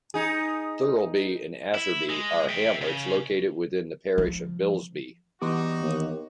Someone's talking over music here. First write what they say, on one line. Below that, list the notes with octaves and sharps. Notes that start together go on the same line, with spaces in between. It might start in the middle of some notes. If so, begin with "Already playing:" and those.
Thurlby and Asserby are hamlets located within the parish of Bilsby.
D#4 G#4
E4
G#3
E5 G5
C#3
F3
E3 G3 B3 D#4 F#4 G4 C6 D6
D#2